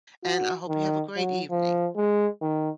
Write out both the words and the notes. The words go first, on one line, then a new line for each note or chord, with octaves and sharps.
and I hope you have a great evening.
F#4
D#3
F#3
F3
G#3
D#3